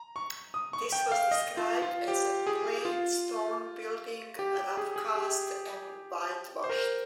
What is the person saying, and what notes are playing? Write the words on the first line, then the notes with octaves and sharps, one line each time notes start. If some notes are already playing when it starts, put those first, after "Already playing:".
This was described as "a plain stone building rough cast and whitewashed".
Already playing: A#5
C#6
D#6
C#6
G5
F5
D#5
F4
F4
G4
G#4
F4
G4
G4
G#4
G#4
G4
C5
A#4